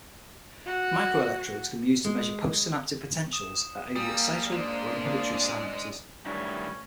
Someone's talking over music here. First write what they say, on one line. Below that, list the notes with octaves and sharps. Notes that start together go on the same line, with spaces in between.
Microelectrodes can be used to measure postsynaptic potentials at either excitatory or inhibitory synapses.
F#4
G#3
D#6 E7
G3 A#3 G#5 A#5 D#6 E6
G#3 D4 C5 D5
G2 D#3 F#3 A3 C#4 D4 E4